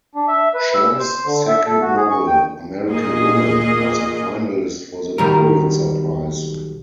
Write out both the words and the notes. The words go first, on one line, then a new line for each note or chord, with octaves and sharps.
Choi's second novel, "American Woman", was a finalist for the Pulitzer Prize.
D4
E5
B4
E6
C5
D3
E5
A4
F#4
G#4
C#6
G5
A#2 G#4 D#5
B1 D#3 G3 A#4